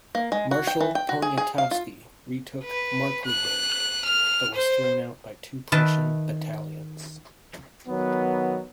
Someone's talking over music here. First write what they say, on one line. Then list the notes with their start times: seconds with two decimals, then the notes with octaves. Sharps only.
Marshal Poniatowski retook Markkleeberg, but was thrown out by two Prussian battalions.
0.15 A#3
0.32 G#3
0.51 F#4
0.67 G5
0.81 E3
0.95 G5
1.09 F#4
1.22 G#4
1.37 G#4
1.58 F5
1.71 F4
2.64 B4
3.25 F#6
4.05 F6
4.54 C5
5.72 D#3 B4 E5 A5
7.88 D#3 F#3 B3